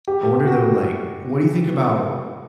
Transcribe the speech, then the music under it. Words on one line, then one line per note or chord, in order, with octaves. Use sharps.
I wonder, though, like, what do you think about
G4
F#4